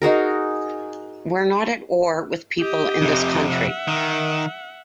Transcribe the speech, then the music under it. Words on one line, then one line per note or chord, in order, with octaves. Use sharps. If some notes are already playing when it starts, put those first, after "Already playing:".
We're not at war with people in this country.
D#4 F#4 G#4 A#4
G4 D#5
F2 C3
E5 F#5
D#3